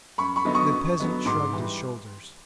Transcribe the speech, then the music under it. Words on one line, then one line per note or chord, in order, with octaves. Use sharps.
The peasant shrugged his shoulders.
F#2 B5 C#6
B5 C#6
D3 F#3 B3 D#4
C#6 D#6
F#2
D3 F#3 B3 D#4
G#2 C6 D6
E3 G3